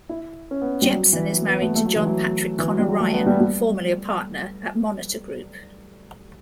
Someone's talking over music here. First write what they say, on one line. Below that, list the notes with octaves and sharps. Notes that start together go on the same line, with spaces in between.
Jepsen is married to John Patrick Conor Ryan, formerly a partner at Monitor Group.
E4
C#4
B3
G3
F#3
E3
F#3
B3
A3
A3
F#3
E3
F#3
E3
F#3
G3
F#3
A3
B3
G3
G3